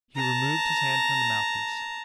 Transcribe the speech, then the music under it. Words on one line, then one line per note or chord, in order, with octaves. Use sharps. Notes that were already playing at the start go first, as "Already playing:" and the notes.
He removed his hand from the mouthpiece.
A5 A#5